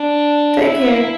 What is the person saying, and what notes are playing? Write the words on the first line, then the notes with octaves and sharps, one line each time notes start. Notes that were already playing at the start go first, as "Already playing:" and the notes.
take care.
Already playing: D4
E4